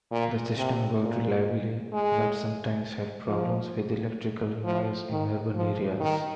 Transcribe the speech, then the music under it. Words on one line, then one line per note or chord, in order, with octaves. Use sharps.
The system worked reliably but sometimes had problems with electrical noise in urban areas.
A#2
C3
A#2
G#3
F3
F3
D#3
F3
D#3